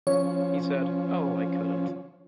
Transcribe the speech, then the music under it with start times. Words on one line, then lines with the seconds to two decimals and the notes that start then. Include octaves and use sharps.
He said, "Oh, I couldn't".
0.07 F3 C#4 C#5